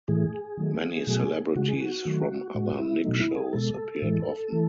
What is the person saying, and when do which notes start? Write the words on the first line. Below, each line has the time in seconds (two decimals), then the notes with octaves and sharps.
Many celebrities from other Nick shows appeared often.
0.08 A2 E3 A3 G#4
0.57 D#3 F#3 A3
1.07 B2 F#3 A3
1.56 C#3 G#3 F#4
1.68 G#4
1.80 F#4
2.05 D#3 F#3 A3
2.54 A2 G#3 F#4
2.79 E4
3.04 B2 F#3 A3 D#4
3.20 E4
3.36 G#4
3.53 B2 G#3 A4
4.02 A2 E3 G#3
4.52 E3 A3